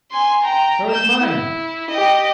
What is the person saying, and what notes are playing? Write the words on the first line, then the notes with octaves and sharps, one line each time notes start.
"So has mine."
G#5 C6
G5 A#5
G6 E7
E4
G4 D#5